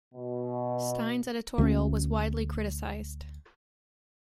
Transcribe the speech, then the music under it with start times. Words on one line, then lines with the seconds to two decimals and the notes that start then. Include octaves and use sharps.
Stein's editorial was widely criticized.
0.15 B2
1.58 D2 A3 A#3 C#4